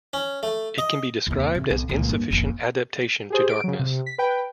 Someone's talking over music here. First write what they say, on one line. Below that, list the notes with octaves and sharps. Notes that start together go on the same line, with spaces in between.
It can be described as insufficient adaptation to darkness.
C#4
A3
D#5
D#2 C3
C3
B1
C#2 A#2
G2 A#3
F1 A#1
G4 G#4 C5
D7
C#3 F#3
C3
B6
B4 G5